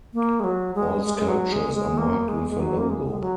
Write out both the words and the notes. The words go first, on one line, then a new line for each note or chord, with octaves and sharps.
All sculptures are marked with a logo.
A#3
G#3
F#3
G#3
G#3
G#3
F#3
G#3
G#3
A#3
G#3
G#3
F#3
A#3
G#3
G#3
F#3